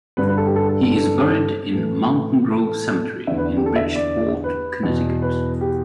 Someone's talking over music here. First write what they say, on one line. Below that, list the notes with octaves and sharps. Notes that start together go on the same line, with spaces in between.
He is buried in Mountain Grove Cemetery, in Bridgeport, Connecticut.
G2 D3 B4
B4
A4
G4
A4
A4
A4
A4
A2 E3 A4
A4
E2 D3 E5
B4
G4
A4
E5
D5
B4
E2 B2
B4
G4